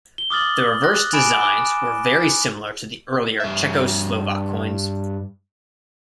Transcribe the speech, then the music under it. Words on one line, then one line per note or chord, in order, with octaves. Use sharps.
The reverse designs were very similar to the earlier Czechoslovak coins.
G7
D6 D#6 F6 A6 F#7
F#6 A#6
G#5 B5 D6 D7 E7
G#5 D6
G2 E5